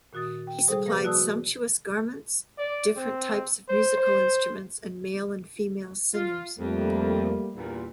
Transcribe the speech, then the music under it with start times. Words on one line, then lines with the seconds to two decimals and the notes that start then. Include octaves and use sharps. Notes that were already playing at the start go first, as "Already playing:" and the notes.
He supplied sumptuous garments, different types of musical instruments, and male and female singers.
0.13 A#2 D#3 F#4 D#6 A6
0.47 G5
0.68 C3 G3 G#4 A4 C5 D#6
0.86 F3 A#3 B4 F5 A#6
1.05 F#4 D5 A5 D#6 E6
2.58 D5
2.97 C4
3.69 C5
3.98 C5
6.13 F4
6.59 F2 G3 A3 A#3
7.54 E2 G2 A#2